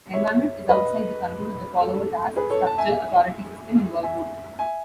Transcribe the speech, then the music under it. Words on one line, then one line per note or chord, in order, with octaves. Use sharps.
Environment is outside the control of the follower-task structure, authority system, and work group.
C#5 E5
B4 D#5
A4
G#4 B4
A4 C#5
A5
E5 G#5
E5 G#5
E5 G#5